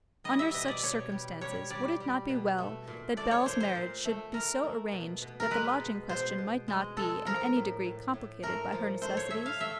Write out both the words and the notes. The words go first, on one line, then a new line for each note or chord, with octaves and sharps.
Under such circumstances would it not be well that Bell's marriage should be so arranged that the lodging question might not be in any degree complicated by her necessities?
G3 D#5
E5
B2 D#5
D5
B2 C#5
G3
G3 C#5
G3 D5
G3
B2
A3
A#2
A3 D5
C#5
A#2 C5
C5
A#2
A3
A#2 A#4
A3
B2
B2
A#4
G#3 B4
B2
B2 C5
B2
G#3
G#3 A4
F3 A#4
A2
A2
A2
A3 A#4
F3
A3 C5
C#5
A3 E5
F5
A3 E5